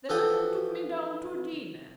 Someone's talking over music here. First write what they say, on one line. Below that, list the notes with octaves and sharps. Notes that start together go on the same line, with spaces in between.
The man who took me down to dinner!
E3 F3 A4 F#5 G5 D#6